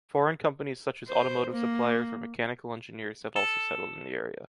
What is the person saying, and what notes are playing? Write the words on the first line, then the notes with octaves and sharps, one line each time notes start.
Foreign companies such as automotive suppliers or mechanical engineers have also settled in the area.
C5
A#3
A4